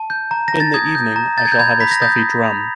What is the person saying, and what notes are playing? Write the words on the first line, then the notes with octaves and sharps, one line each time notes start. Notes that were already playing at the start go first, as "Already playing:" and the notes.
In the evening I shall have a stuffy drum.
Already playing: A5
G6
A#5
A#5 A#6
A6
D#6 G#6
G6
A#5
G6 A6
G#6
G6
B5 G#6
B5 B6
A#6
D#6 G6 A6
G6
B5